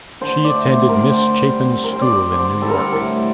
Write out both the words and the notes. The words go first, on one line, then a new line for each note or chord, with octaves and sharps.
She attended Miss Chapin's School in New York.
D3 C5
D5
A3
C5
C4
A#4
D3 C5
G3
C4
A#4
C5
C4 D5
D3 C5
G3 A4
A#4
A4
A2 A#4